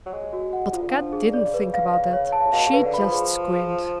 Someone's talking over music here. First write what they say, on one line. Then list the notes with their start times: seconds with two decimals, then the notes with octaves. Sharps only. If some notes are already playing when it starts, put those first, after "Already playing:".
But Kat didn't think about that; she just screamed.
0.06 F#3
0.13 G#3 C#5
0.33 F#4
0.53 F#5
0.73 F3 F4
0.81 D3
0.88 F3 D4
1.13 G#4
1.23 D3
1.33 C#3 D5
1.54 B4
1.74 F5
1.93 F5
2.13 C#5
2.32 A5
2.46 A2
2.52 B2 F5
2.69 C#3 B4
2.83 D3
2.94 F3 B5
3.13 G#4